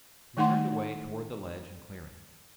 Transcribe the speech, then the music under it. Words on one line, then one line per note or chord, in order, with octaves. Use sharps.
He turned away toward the ledge and clearing.
D#3 A3 D#4 F#5 C6